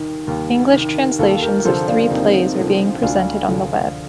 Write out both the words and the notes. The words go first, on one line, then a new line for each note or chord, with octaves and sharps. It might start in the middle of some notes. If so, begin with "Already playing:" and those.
English translations of three plays are being presented on the Web.
Already playing: D#2 D#3 D#4
D#2
D#3
D#2 F4 A4
G4 A#4
D3 F3 A4 C5
A#3 D4
D#2 C4 D#4
D3 F3
D2 D4 F4
D3 F3